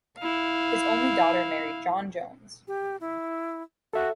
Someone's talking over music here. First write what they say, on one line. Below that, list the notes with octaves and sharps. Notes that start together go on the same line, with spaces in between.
His only daughter married John Jones.
E4 F5
G4
E4
F#4 A4 E5